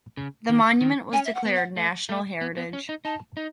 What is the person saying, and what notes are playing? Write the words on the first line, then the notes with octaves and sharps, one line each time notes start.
The monument was declared National Heritage.
C#3
D#3
D#3
C#4 G#5
E5
F#5
B3
F#5
A3
A3
B3
B3
C#4
D#4
D#4 A5
D#4